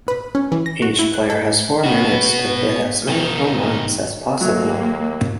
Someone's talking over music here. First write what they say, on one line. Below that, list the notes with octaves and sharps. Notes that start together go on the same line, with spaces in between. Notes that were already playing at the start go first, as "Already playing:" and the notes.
Each player has four minutes to hit as many home runs as possible.
B4
C#4
E3
A#6
F#4
E4
F#6
A4
B3 F#4
B2 D#3
D#2 F#3 A3 A#3